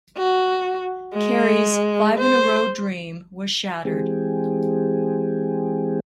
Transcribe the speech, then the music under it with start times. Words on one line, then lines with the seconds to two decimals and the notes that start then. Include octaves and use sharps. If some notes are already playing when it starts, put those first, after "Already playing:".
Kerry's five-in-a-row dream was shattered.
0.18 F#4
1.14 G#3
2.18 C5
3.85 E3 G#3 C4 G4 G#4